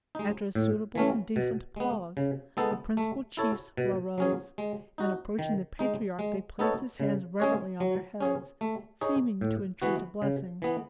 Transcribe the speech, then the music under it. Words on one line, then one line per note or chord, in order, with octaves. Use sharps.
After a suitable and decent pause, the principal chiefs arose, and, approaching the patriarch, they placed his hands reverently on their heads, seeming to entreat a blessing.
G#3 D#4
A2
E3 A3 C#4
B2
G#3 B3
C#3
G#3 B3 D#4 A4
A3
E4 A4 C#5
B2
F#3 C#4 G#4
G#3
D#4 F#4
D#3
G#3 D#4
G#3
B3 D#4 A4 C#5
C#3
G#3 C#4 G#4 C#5
F#3
C#4 G#4 C#5
A3
D#4 G#4 C#5
A2
E3 B3 F#4
C#3
E3 B3